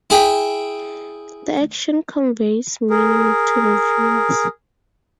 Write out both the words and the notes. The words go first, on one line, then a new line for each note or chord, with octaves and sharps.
The action conveys meaning to the viewers.
E4 G#4 G5
G#4 A#4